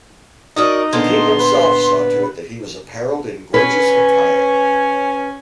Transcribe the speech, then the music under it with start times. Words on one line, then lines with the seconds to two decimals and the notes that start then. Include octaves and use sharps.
The king himself saw to it that he was apparelled in gorgeous attire.
0.56 D#4 F#4 A#4 D5 D#5 D#6
0.93 A#2 D3 B3 C6
1.40 B4
3.54 C#4 B4